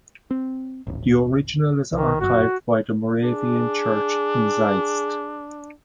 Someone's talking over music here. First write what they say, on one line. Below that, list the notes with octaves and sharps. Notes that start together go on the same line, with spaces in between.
The original is archived by the Moravian Church in Zeist.
C4
D#1 A1
C2 D#3
G1 F#2 F#4
D4 G#4